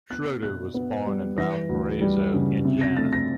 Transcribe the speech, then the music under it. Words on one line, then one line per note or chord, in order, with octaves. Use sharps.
Schroeder was born in Valparaiso, Indiana.
B3 F#6
B2 F#6
B3
G3
E3 A#6
D2
G3
C#3
C3
A#6
A3 A6
A#6